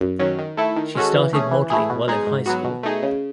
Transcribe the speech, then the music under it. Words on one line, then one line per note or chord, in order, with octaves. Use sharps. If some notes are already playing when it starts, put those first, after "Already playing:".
She started modeling while in high school.
F#2
D#3 F#3 C#4
D#3
A3 E4 A4
D#3
G#3 C#4 F#4 A4
E3
A3 C#4 G#4
E3
A3 E4 G#4
B2
G#3 D#4 G#4
G#2
F#3 B3 F#4
B2
A3 D#4 G#4
C#3